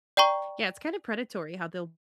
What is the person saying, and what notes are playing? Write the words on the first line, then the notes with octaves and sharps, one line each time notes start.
Yeah, it's kinda predatory how they'll
D5 G5 A#5 C#6